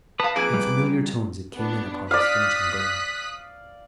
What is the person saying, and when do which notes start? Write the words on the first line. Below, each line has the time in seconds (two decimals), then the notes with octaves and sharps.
In familiar tones it came in upon his fainting brain.
0.20 B4 F5 A5 D#6
0.36 F2 A#3 G#4 B4 D6
0.54 G3
1.53 B3 D4
2.11 D5 F5 D#6 F#6 B6